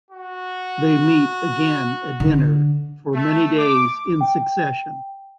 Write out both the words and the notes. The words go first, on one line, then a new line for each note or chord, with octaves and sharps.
They meet again at dinner, for many days in succession.
F#4
D3
A3
D6
G5